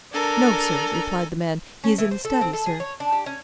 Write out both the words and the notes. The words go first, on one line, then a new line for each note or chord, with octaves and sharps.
"No, sir," replied the man; "he is in the study, sir."
D4 A4 A#4 G#5 A#5
C#4
E3
C5
A4
C4
A4
G#4
C#5
D4
G4
C#4